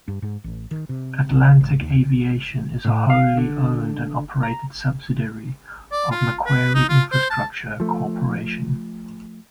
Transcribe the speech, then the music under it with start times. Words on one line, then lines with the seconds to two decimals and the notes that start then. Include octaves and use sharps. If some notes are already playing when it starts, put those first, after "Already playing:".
Atlantic Aviation is a wholly owned and operated subsidiary of Macquarie Infrastructure Corporation.
0.08 G2
0.22 G#2
0.44 A1
0.71 D#3
0.89 C3
1.30 A#1
1.61 G#1
1.81 D#2
2.85 A2
3.10 F5
3.37 D3
4.43 A#5
5.92 D5
6.11 F4
6.46 B4
6.74 D#4
6.89 F4
7.12 C5
7.30 A5
7.80 F3 A3